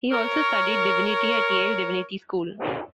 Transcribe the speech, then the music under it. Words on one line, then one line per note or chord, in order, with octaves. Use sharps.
He also studied divinity at Yale Divinity School.
A#4 C#5